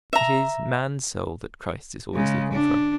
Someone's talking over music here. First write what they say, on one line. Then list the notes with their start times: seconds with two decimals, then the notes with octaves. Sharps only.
It is man's soul that Christ is always looking for.
0.13 E5 A#5
2.14 C#3 G#3
2.52 D4